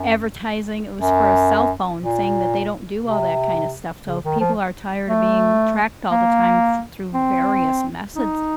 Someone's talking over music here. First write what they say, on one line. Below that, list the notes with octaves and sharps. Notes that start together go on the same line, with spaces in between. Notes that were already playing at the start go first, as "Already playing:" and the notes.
advertising it was for a cell phone saying that they don't do all that kinda stuff. So if people are tired of being tracked all the time th through various methods
Already playing: F#2
F#2
A#2
C3
C#3
D#3
F3
A3
A#3
C4
D#4